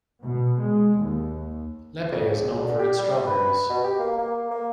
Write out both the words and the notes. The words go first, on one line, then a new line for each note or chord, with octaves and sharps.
Lepe is known for its strawberries.
B2
G#3
D#2
F2
C#2
D3
G4
G3
C4
B4
B2
G4
A#3
A#3
A#3